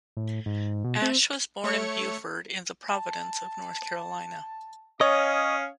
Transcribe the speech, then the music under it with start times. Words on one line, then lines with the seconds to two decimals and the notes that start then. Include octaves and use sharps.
Ashe was born in Beaufort in the Province of North Carolina.
0.17 A2
0.46 G#2
0.84 B2
1.02 C4
1.64 A3 C#5 C#7
2.92 A5
5.01 C#4 C#5 D#5 F5 D#6